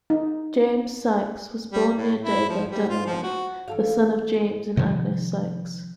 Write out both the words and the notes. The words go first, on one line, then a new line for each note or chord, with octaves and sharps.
James Sykes was born near Dover, Delaware, the son of James and Agnes Sykes.
D#4
G3
A2
E4
F3
G3
F4
F3
F#4
E3 A4 F5
C3 D#3 F3